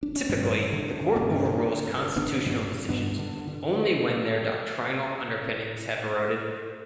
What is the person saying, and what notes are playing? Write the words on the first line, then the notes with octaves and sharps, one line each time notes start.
Typically, the Court overrules constitutional decisions only when their doctrinal underpinnings have eroded.
D4
C#4
G2 G3 B3
G2
G2
D3
G2
D3
G2 A#3 C#4
D3
D3
G2
G2
G2
G2
D3 B3 D4
G2
G2 G3 B3
G2
G2
G2 B3 D4
D3
D3
G2
D3